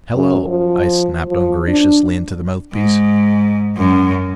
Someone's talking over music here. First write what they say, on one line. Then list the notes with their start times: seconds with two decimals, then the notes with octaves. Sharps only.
"Hello!" I snapped ungraciously into the mouthpiece.
0.15 F#2
0.48 F3
1.29 F3
1.68 D4
2.73 G#2
3.76 F#2